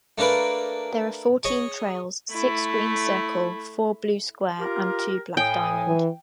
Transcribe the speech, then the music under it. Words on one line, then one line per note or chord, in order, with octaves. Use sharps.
There are fourteen trails, six Green Circle, four Blue Square, and two Black Diamond.
A3 A#3 D4 A#4 B4
G#4 C#5 D#5
A3 E4
F4 G4 A#4
A2 G5 G#5 D#6
E3